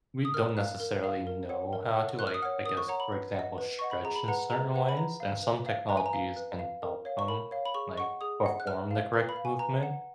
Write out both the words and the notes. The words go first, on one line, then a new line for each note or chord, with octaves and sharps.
we don't necessarily know how to, like, I guess, for example, stretch in certain ways, and some technologies can help them, like, perform the correct movement.
D#6
A#4 F6
F5 F#6
A#4
F5
A#4
C#5 F#5
A#4
C#5 F#5
A#4 F#6
F6
D#6
C#5 F#5 F6
A#4 D#6
C#6
C#5 F#5 A#5
B5
B4
D#5 F#5
B4
D#5 F#5 C#6
B5
G#4 A#5
B5
B4 F#5 A#5
G#4 A#5
B4 F#5
B5
B4 A#5
F5
B4
F5
B4 A#5
G#5
A#5
F5
B4
F5
A#4
C#5 F5
C#6
A#4 B5
C#5 F5
B5
G#4 C#6
D#5 F#5 C#6
G#4 D#6
D#5 F#5
F#6
B4 F6
F5
B4
B5
F5
G#5
B4 A#5
F#5